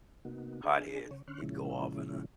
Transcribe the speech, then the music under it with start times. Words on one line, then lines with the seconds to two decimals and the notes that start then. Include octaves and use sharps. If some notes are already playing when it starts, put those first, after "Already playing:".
hothead, he'd go off in a
0.25 C3 A#3 B3 D#4 F#4
0.64 D4 G#4
1.11 C#3 C#5
1.28 D3 C#4 C6 C#6 F6 F#6
1.41 A#2 C#3 F3 G#3 C#4 E4